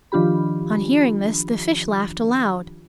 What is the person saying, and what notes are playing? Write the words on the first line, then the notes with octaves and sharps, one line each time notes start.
On hearing this the fish laughed aloud.
D#3 F3 D4 F4 G4 B5